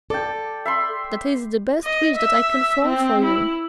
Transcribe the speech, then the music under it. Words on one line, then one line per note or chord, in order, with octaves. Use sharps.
That is the best wish that I can form for you.
A4 D5 G5
E5 B5 C6
D#5
E5
C4
E4